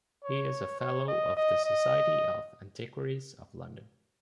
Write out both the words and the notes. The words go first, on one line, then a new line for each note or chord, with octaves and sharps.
He is a fellow of the Society of Antiquaries of London.
C#5
C#5
D#5
D#5
D#5